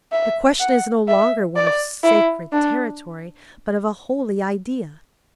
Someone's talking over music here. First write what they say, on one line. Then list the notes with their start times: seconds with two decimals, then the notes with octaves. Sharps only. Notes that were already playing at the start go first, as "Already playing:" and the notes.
The question is no longer one of sacred territory,--but of a holy idea.
0.12 E5
0.60 F#5
1.08 E5
1.56 D5
2.04 E4
2.52 D4